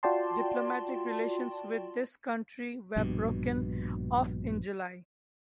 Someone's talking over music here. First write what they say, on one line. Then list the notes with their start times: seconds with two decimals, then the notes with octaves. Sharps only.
Diplomatic relations with this country were broken off in July.
0.03 F4 F#4 D5 G5 A5 C6
2.96 A#1 G2 B2